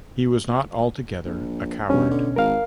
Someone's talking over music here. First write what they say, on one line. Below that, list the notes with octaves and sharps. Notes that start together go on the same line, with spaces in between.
He was not altogether a coward.
A#1
G2 B2 C#4
D3
G#1 A#4 F5